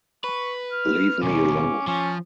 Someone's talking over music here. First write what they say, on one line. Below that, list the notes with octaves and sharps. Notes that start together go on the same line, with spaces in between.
Leave me alone.
B4 C#6
F6
D#2 B2 C#4 D6
F3 C#4